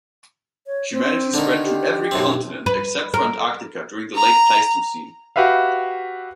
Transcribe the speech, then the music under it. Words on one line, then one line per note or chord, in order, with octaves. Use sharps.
Humanity spread to every continent except for Antarctica during the Late Pleistocene.
C#5
C4
D3 D#3
G4
B1 F#2 C4
B4
A#4
A#5
F#4 G4 B4 E5 F5